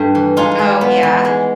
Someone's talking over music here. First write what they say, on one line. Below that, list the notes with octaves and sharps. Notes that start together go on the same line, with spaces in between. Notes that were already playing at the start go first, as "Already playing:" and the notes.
Oh, yeah.
Already playing: G2 A3
E3
G#3 D#4 F4
G#3
B3
E3
G#3